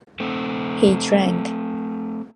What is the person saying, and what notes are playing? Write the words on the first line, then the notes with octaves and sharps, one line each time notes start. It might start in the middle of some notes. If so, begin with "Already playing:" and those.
He drank.
A3 C4